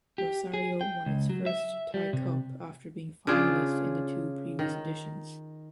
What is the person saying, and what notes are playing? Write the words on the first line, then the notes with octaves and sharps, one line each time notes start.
Rosario won its first Tie Cup after being finalist in the two previous editions.
G4
G#4
G5
C#2
F#3
E5
G3
C3
C#3 D4 F4 G#4
D#3